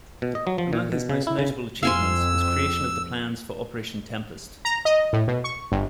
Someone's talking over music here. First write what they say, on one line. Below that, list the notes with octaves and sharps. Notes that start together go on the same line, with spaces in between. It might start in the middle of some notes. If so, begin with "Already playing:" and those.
Among his most notable achievements was creation of the plans for Operation Tempest.
B2
D#5
F#3
F3
A#2
B2
C#3
E4
C#3
F2 F5 G#5 C6 E6
A#5
D#5
A2
B2
C#6
G1